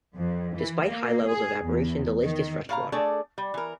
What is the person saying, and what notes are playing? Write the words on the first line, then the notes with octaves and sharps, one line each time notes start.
Despite high levels of evaporation, the lake is fresh water.
F2
E3
A#3
G#4
E2
D#3
A2 F5 A#5
A3 D4 G#4 A4 D5
G3
E3 A#4